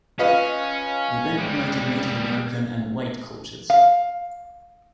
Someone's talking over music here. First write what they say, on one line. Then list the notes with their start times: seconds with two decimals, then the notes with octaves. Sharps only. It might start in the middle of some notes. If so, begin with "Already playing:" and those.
The event promoted Native American and "White" cultures.
0.19 C#4 F4 B4 D#5
1.38 G3 G#3
3.70 F5